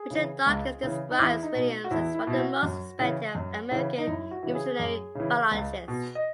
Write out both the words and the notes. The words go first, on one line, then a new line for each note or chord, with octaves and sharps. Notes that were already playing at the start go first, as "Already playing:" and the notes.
Richard Dawkins describes Williams as "one of the most respected of American evolutionary biologists".
Already playing: G#4
C#3 E3
C#2
C#3 E3
D#4
E2 E4
D#4
B2
F#4
E2 E4
E4
B2 E4
F#4
F#2
C#3 E3
F#2
C#3 E3
D#4
F#2 E4
F#4
C#3 E3
G#4
F#2
C#3 E3
C#2
B2
D#5